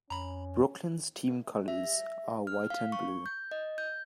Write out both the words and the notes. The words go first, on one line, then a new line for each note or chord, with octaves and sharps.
Brooklyn's team colors are white and blue.
F2 C#4 A#5 B5
E5
F6
F5
C#6
G6
D#5
G6